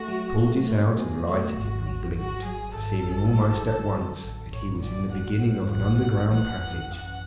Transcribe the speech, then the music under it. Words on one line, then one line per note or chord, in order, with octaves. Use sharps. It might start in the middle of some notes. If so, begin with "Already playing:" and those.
He pulled it out and lighted it and blinked, perceiving almost at once that he was in the beginning of an underground passage.
Already playing: A3 F#4
F#3
A3
A3
B2 G#4
A3 F#4
G#1
F#3
G#1 F#4
F#3 G#4
G#1 A4
F#3
F#3
D3
F#3
A1
A1 C#5
A1 D5
F#3 F#5
G#2
A1 F#5
A1
E3 F#5
F#2
F#2 F#5